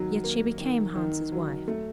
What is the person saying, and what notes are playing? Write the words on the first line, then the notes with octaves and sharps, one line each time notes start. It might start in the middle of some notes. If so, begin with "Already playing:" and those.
Yet she became Hans' wife.
Already playing: D#3 F#3
A#3
D#3
D#3
F#3
A3